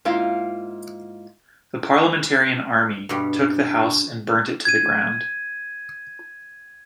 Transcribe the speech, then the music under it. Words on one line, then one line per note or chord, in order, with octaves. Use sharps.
The Parliamentarian army took the house and burnt it to the ground.
G#2 A#3 E4 F4
G2 B2 G3
G#6 D#7